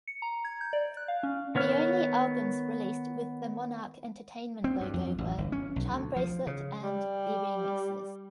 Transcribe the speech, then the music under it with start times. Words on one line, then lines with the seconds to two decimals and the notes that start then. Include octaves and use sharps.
The only albums released with the Monarc Entertainment logo were "Charmbracelet" and "The Remixes".
0.07 C#7
0.22 A#5
0.45 G#6
0.61 G6
0.73 D5
0.97 F#6
1.08 F5
1.23 C#4
1.55 D#3 B3 C#5 F6
4.64 C4
4.81 G2
4.94 F2
5.18 A1
5.38 G1
5.52 C#4
5.76 B1
5.91 D2
6.16 F3
6.47 C#3
6.83 G3